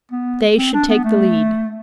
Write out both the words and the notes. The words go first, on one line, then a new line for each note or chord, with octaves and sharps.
They should take the lead.
B3
C4
D4
B3
A3